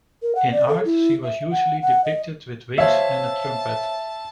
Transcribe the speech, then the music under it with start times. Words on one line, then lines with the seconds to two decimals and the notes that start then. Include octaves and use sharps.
In art, she was usually depicted with wings and a trumpet.
0.22 A#4
0.35 F#5
0.52 D5
0.68 A4
0.85 E4
1.24 E5
1.51 F#5
1.82 F#5
2.04 D#5
2.78 C5 C#5 E5 F5 A5